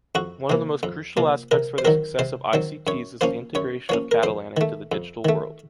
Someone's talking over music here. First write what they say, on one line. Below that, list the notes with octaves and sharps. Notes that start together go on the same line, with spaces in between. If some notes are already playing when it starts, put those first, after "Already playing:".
One of the most crucial aspects for the success of ICTs is the integration of Catalan into the digital world.
F2 F#4
C3 F3 A#3
F2
C3 F3 A#3
C3 A#4
C5
D#3 F#3 C4 A#4
C3 C5
D#3 F#3 C4
F#2 C#5
F3 A#3 C#4 C5
F#2 C#5
F3 A#3 C#4 C#5
A#4
F2 C5
D#3 A3
F2
D#3 A3